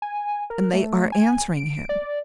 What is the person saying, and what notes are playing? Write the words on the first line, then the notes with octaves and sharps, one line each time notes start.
And they are answering him!
G#5
A#4
A3
G#5
D7
D5